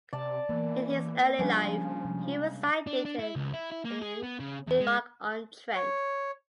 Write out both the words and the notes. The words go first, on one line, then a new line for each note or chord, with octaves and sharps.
In his early life, he resided in Newark-on-Trent.
C3 D5 A5
E3 A#3 B3
C#3 F3 G3 D4
C3 G#3
D4
D4
E4
C#2
E4
E4
A#3
G#4
B3
C#3
E2
G#3
C#5